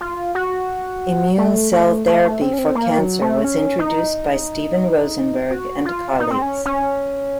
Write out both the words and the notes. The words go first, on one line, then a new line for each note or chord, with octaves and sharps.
Immune cell therapy for cancer was introduced by Steven Rosenberg and colleagues.
F4
F#4
A3
A3
A3
A3
C4
C#4
C4
A#3
F#3
A3
C#4
D#4
F#4
F4
D#4
C4
C#4
C#4